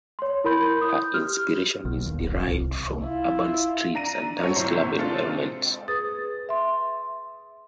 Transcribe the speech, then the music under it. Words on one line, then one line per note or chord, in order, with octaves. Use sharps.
Her inspiration is derived from urban streets and dance club environments.
C#5 C6
E4 A#4 B5 C6 G6
D#6 G6
G4 F6
B1
D#2
D1
C2
E4 F4
D4 A#5 A#6 D#7
F#3 C4 A4 C#5
G#1 D2 A2 C3 A#5 C6
C3
G#3 C4 D4 F4 A4 C5
C4
G#4 B4 D#6 A6
E5 C6